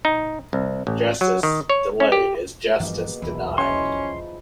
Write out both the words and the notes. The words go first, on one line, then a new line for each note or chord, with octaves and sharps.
Justice delayed is justice denied.
D#4
C2
A1
F#3
D#3
C#5
C#4
G4
G2 B2 E3 F3 A#3 G#4
D#1 B1 E2 E5 B5
E3 C#4 D#4 C#5 C6
F3